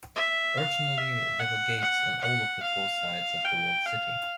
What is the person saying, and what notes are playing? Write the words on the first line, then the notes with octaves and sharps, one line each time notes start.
Originally, there were gates on all of the four sides of the walled city.
E5
F5
E5
F#5
F#5
F#5
F5
G5
F5